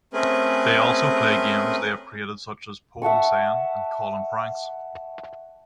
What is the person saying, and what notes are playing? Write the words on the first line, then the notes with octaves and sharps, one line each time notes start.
They also play games they have created such as "Poem Sayin" and "Callin Pranks".
A3 C4 C#4 G#4 A#4 B4
E5 F#5 A5 C#6